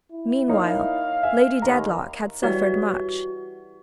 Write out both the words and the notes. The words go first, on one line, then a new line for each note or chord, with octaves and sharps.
Meanwhile Lady Dedlock had suffered much.
E4
A#3 D#4 C#5 F5
E5 G#5
D#2 A#5
E3 G3 F#4 C#5